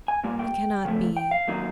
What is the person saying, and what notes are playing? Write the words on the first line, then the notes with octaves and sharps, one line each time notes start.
It cannot be.
G#5
A#2 G3 A#3 G#5
G5
C#3 F3 A3
G5
F5
D#3 F#3 A#3 D#4